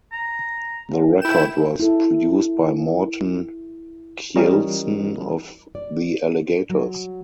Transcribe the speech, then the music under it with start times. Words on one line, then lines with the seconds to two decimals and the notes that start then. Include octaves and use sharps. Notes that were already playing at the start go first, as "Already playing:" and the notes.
The record was produced by Morten Kjeldsen of The Alligators.
0.13 A#5
1.22 E4 G5 E7
1.80 E4 A4
4.36 E3 G3 C#4 F4 A#4 D#5
5.75 D5
6.70 F#3